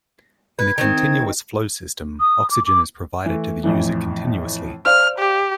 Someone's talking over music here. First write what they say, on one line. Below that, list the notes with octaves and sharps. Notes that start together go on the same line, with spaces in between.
In a "continuous-flow system", oxygen is provided to the user continuously.
B4 G#6
D#3 C4
D#6
D6
D6
E3 A3
F2 A2 E3
C5 D5 F5 F6
G4